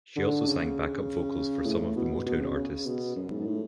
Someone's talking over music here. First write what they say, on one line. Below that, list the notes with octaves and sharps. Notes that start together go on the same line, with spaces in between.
She also sang backup vocals for some of the Motown artists.
D3
C#3
A2
A2
B2
B2
C#3
C#3
B2
F#2
G#2
A2